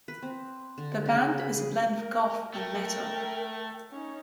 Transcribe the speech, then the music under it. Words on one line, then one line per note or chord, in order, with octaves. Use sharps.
The band is a blend of Goth and Metal.
B4
C4
D3
C#3
B5
G#4
A#4
A3 A#4 G5
C#4 D#4